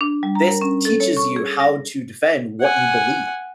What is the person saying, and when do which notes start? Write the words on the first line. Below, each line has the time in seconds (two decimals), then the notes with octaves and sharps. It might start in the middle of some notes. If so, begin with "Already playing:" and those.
This teaches you how to defend what you believe,
0.01 D4
0.23 G3
0.35 A#5
0.49 A#4
0.61 C#4
0.85 A4
1.00 C#5
1.17 C#6
1.36 G#4
1.60 A#6
2.61 F#5 G#5